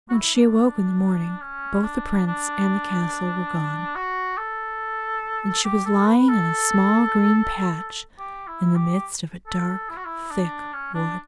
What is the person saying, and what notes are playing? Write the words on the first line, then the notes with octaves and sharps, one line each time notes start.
When she awoke in the morning both the Prince and the castle were gone, and she was lying on a small green patch in the midst of a dark, thick wood.
F#4
E4
D4
C#4
D4
D4
F#4
A4
G4
A4
B4
A4
G4
E4
G4
A4
E4
F#4
E4
D4
C#4
D4